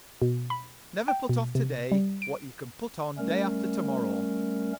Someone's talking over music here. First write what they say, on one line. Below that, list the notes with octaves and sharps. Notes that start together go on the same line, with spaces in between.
"Never put off to-day what you can put on day after to-morrow."
B2
B5
G5
B2
C3
G3
D7
G3 A3 C#4 A#4